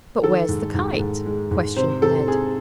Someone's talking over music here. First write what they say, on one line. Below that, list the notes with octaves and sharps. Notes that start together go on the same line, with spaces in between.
"But where's the kite?" questioned Ned.
D#3 A4
G#2
G#2
G#2
G#3
G#2
C3 C5
C3 A4
C3 G#4